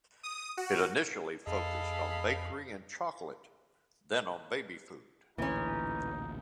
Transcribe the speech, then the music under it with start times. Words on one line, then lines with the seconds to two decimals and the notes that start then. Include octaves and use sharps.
It initially focussed on bakery and chocolate, then on baby food.
0.23 D#6
0.57 F#4
1.47 F2 G#4 A4 D#5 F5 B5
5.38 A1 D2 A#2 E3 C#4 D#4